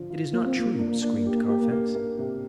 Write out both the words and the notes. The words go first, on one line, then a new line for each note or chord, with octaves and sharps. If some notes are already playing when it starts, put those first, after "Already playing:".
"It is not true," screamed Carfax.
Already playing: D3 F3
F4
A#3 F4
C4
F3 A#3
D4
D4
G4
G4
A#3
A#3
C3